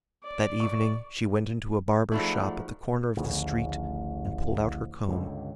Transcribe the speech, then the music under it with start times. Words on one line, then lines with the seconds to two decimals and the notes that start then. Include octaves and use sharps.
That evening she went into a barber's shop at the corner of the street, and pulled out her comb.
0.23 D5
0.60 C#6
2.12 F3 F#3 A3 D#4 G#4 D5 B5
3.16 A1 D2 C#3 F3
5.08 C#2 G2 D3